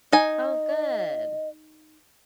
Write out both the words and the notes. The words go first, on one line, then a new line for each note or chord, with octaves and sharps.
Oh, good.
D#4 D#5 G#5